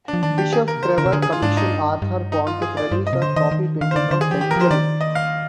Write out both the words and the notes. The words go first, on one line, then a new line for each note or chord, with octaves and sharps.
Bishop Trevor commissioned Arthur Pond to produce a copy painting of "Benjamin".
D4
F3
D#3 D4
G4
G#4
A#4
C3
D3 C5
D3 A#4
C3
D3 G#4
G#4
F4
G#2 D4
D#4
G2
G2
D#4
F4
G#4
D5
G2 C5
D#5
C3
D3 C5
D#3 D#5
D#3
D#3 F5
C5
D3 D5
D3 C5
D#3 G#4
F3 G4
D#3 G4
A#4
F3 C5
D#3 D5
D#5
F5